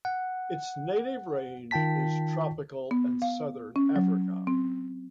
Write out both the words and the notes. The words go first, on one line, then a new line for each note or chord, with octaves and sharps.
Its native range is tropical and southern Africa.
F#5
D#3 F4 G5 A5 B6
B3
F5
C#4
F#3
C4